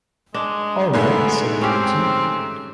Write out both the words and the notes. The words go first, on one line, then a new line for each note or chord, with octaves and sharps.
"All right," said Williamson.
G#3 D4
G#2 G#3 A3 B3
C4 C#4 G4